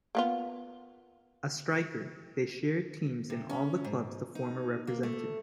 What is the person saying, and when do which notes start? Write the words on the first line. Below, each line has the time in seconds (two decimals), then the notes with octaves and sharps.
A striker, they shared teams in all the clubs the former represented.
0.15 A#3 B3 F4
3.30 C3
3.49 C#4
3.84 G#2
4.35 D#4
4.87 A#3
5.03 A3